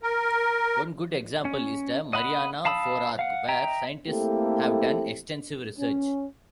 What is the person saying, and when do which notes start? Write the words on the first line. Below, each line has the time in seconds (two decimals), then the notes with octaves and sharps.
One good example is the Mariana forearc, where scientists have done extensive research.
0.02 A#4
1.45 C#4
2.13 D#5 F#5 B5
2.65 F5 A5 B5 D#6 E6
3.19 F5 F#5
3.49 D#5 E5 G5 A#5
4.07 A3 A#3 C4 E4 G4 A4
5.79 C#4